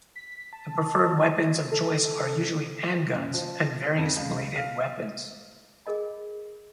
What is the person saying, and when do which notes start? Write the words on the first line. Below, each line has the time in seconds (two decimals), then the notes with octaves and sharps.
The preferred weapons of choice are usually handguns, and various bladed weapons.
0.16 B6
0.53 A5
1.71 A4
3.13 F#2
3.34 F3
3.98 F2
4.16 C#2
4.56 F5
5.86 G#4 A#4 D#5 B5